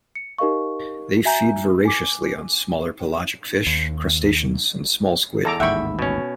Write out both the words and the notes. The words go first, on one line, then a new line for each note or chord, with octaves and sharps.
They feed voraciously on smaller pelagic fish, crustaceans and small squid.
C#7
D#4 G4 A#4 D#5 F5 C#6
F#4 E5 G#5 A#5 G6
G#5 D6
D#2
E2 A4 A#5 D6
A1 D#2 G#2 E5 F#5 G5 B5 C#6
B2 C#4